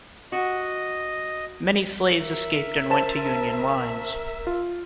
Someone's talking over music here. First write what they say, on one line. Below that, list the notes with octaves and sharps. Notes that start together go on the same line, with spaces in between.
Many slaves escaped and went to Union lines.
F#4 D#5
A#4 E5
C5 A5 E7
F4